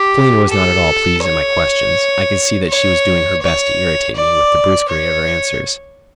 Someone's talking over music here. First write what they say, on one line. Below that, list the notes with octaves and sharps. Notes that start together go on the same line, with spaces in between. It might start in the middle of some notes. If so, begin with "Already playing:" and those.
Polina was not at all pleased at my questions; I could see that she was doing her best to irritate me with the brusquerie of her answers.
Already playing: G4
A4
C#5
C#5
C#5
D5
C#5